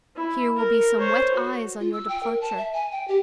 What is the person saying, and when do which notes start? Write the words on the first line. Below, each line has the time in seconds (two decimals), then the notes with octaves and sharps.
Here will be some wet eyes on your departure.
0.16 E4
0.56 A#4
0.98 C5 C#5
1.34 F#4
1.80 F4
1.93 E6
2.09 G5
2.23 A#4
2.41 A5
2.57 E5
2.73 G#5
2.92 G5
3.08 G4